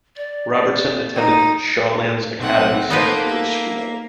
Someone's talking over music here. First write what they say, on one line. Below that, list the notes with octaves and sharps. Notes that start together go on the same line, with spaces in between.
Robertson attended Shawlands Academy Secondary School.
D5
D#4
B1 C4 F#5
A#3 B3 D#4 A4 B4 C5
E5